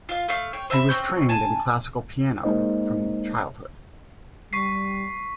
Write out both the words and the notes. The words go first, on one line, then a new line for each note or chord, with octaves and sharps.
He was trained in classical piano from childhood.
F4 F5
A3 F5
C#5 G5
C5 E5 A#5 B5
C4 C#4 G6
G#5 A5
G#3 A#3 D#4 C5 D#5
G3 C#6 B6 C7